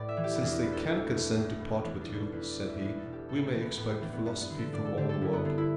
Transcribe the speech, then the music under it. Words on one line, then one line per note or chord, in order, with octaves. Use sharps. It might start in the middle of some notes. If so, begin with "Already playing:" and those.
"Since they can consent to part with you," said he, "we may expect philosophy from all the world."
Already playing: A2 B4 D5
E5
E3
G4
B3
E2 D4
B2 B4
A4
G4
E2 E4
A3
B2
B3
E2 A3
B2 B3
E2 B3
D4
B2
A4
E2 B4
D5
B2
E5
E2 B4
A4
B2
G4
A2 A4
A3
E3
B3
A2 B3
A3
E3 D4
B3
G2 B3
B3
D3
A4
G2 D5
A4
D3 G4
A4
G2 E4
B3
D3 B3
E4